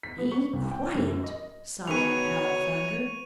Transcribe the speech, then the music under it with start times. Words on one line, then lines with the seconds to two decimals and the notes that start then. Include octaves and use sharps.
"Be quiet!" Solomon Owl thundered.
0.03 B6
0.18 B3
0.32 C#6
0.53 C2
0.71 G5
0.95 F#2
1.24 D#5
1.87 D#3 F#3 B3 G#4 C#5 D#7 F7